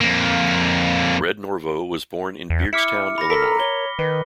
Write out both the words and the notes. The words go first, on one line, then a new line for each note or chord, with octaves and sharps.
Red Norvo was born in Beardstown, Illinois.
F2 A#3
E2
E4 D6 F6 C#7
B5 A#6
A4 A#4 B6
C#5 G7
D#3 B4